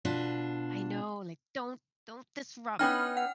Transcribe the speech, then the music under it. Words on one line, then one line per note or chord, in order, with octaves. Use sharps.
I know, like, don't don't disrupt
B2 D4 F4
B3 C#4 D#4 G5 F6
F#5